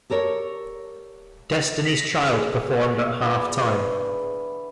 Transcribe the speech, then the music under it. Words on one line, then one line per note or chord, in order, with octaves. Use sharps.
Destiny's Child performed at Halftime.
G4 A4 A#4 C#5
A#6 B6
G#4
D3 E3 B3